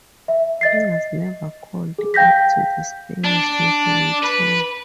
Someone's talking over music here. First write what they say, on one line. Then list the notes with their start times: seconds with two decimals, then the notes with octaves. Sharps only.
He was never called up to the Spanish national team.
0.28 E5
0.61 D#5 A6 C7
1.99 G#4
2.14 F5 G5 G6 A#6 B6
3.24 D4
4.23 B4